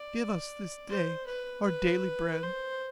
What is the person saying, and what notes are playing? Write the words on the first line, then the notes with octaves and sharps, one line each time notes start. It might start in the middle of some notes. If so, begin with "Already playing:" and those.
"Give us this day our daily bread."
Already playing: D5
C5
B4
B4
C5